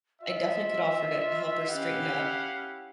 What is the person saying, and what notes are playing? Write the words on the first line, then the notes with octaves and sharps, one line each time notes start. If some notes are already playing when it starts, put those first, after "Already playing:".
I definitely could offer to help her straighten up.
F4 D#5 E5
C#4 E4 G4 F5 F#5